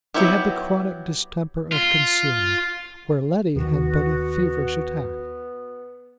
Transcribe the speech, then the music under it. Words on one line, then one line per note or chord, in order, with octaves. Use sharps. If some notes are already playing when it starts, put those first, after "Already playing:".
She had the chronic distemper of concealment, where Letty had but a feverish attack.
F#3 B3 E4 F#4 G4
F4
D#2 D#3 B3 F#4